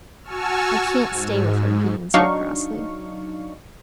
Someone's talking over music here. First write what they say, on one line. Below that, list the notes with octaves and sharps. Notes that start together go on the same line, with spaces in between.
'I can't stay with her,' he answered crossly.
F#4 G#5 A5 C#6 E6 F6
G#2
F#3 D4 D#4 F5 C#6